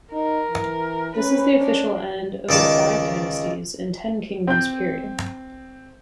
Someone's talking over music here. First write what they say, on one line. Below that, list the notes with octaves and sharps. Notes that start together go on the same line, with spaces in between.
This is the official end of the Five Dynasties and Ten Kingdoms period.
D#4 A#4
E3
C#4 B4
D4
C#2 D#3 D5 A5 D6
C4 G6